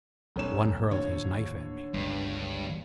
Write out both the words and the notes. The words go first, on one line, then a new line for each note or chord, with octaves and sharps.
One hurled his knife at me.
F1 B1 C#4 E7
D#2 A2 D3 F3 C#5
G1 C#2 G2